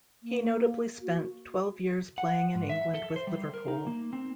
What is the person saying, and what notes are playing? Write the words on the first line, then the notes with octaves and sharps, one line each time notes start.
He notably spent twelve years playing in England with Liverpool.
A#3
F#4
F#5
G#2
E5
A4
C5
G3
A#4
D#4
A#3
C4